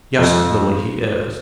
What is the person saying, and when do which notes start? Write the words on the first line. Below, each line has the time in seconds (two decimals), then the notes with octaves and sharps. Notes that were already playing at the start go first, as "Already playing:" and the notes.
Yes, Lily, he is.
0.19 F2